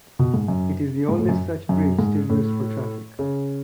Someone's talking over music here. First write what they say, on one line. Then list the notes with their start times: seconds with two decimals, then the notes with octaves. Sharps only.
It is the oldest such bridge still used for traffic.
0.19 B2
0.34 G#2
0.48 F#2
1.09 G#2
1.19 A2
1.29 F#2
1.69 F#2
1.99 G#2
2.30 A2
3.19 C#3